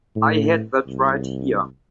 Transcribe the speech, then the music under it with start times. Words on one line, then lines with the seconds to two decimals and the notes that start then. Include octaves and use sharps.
I had that right here.
0.16 A2
0.86 C2